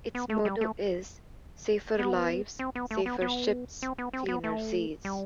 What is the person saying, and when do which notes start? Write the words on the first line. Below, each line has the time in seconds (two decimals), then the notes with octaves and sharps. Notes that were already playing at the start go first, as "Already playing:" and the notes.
Its motto is "Safer Lives, Safer Ships, Cleaner Seas".
0.15 B3
0.30 A3
0.45 G3
0.61 A3
1.99 B3
2.59 C4
2.75 B3
2.91 A3
3.06 B3
3.22 B3
3.82 C4
3.98 B3
4.13 C4
4.28 B3
4.44 A3
5.05 G3